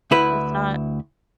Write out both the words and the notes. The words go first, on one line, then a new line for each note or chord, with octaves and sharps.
It's not
D2 E4 B4